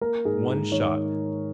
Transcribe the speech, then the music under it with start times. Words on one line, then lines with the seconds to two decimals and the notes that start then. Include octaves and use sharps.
One shot!
0.01 A#3 A#4
0.25 G#2 G#4
0.48 G#2
0.72 D#3 C#5